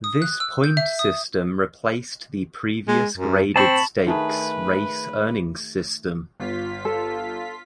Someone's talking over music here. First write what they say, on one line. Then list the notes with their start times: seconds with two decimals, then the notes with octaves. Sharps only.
This point system replaced the previous graded stakes race earnings system.
0.04 D#6
0.22 F#6
0.40 E6
0.64 G6
0.77 E5
0.99 D#6
2.88 G#3
3.18 F#2
3.56 C4 A5 B5 C#6
4.07 D#3 A3 G#4 B4
6.40 G1 F4 B6
6.85 A4